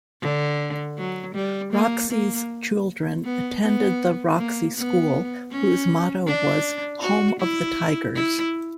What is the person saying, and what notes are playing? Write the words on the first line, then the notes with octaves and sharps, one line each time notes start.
Roxie's children attended the Roxie School, whose motto was "Home of the Tigers".
D3
F#3
G3
A#3
A#3
B3
B3
A#3
B3
C#4
D4
F#4
E4
E4